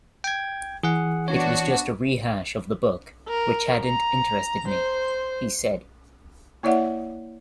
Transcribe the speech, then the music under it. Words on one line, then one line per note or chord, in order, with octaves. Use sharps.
"It was just a rehash of the book, which hadn't interested me," he said.
G5 G#6
E3 G#4 F#5
B3 D4 F#4 C#5
A#4
A#5
C5
A#3 E4 C#5 D5 E5 F#5